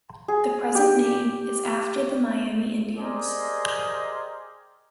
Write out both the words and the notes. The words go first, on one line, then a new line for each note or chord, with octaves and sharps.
The present name is after the Miami Indians.
G#4
G4
G4 G#4 A#4 C5 D5 D#5